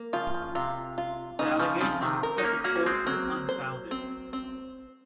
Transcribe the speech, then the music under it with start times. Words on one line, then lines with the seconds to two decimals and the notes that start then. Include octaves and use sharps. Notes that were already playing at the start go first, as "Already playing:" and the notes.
The allegation of excessive force was unfounded.
Already playing: A#3
0.13 C#3 F3 F4
0.34 C#3 F3
0.55 C3 F4
0.98 F4
1.39 A#2 C#3 D#4
1.60 C#3 F3
1.81 C#3 F3 C4
2.02 C3 D#3
2.23 A#4
2.38 D#4
2.43 A#3 C#4
2.64 A#3 C#4 F#4
2.76 C#4
2.86 G#3 C4
3.06 F#3 A#3 C4
3.49 C5
3.91 C4
4.33 C4